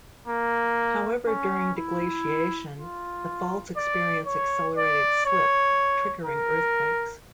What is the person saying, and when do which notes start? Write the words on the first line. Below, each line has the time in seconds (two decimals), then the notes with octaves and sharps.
However, during deglaciation, the faults experience accelerated slip triggering earthquakes.
0.28 A#3
1.28 C#4
1.78 E4
2.77 F4
3.77 D5
4.26 C#5
4.77 D5
5.26 C#5
6.25 A#4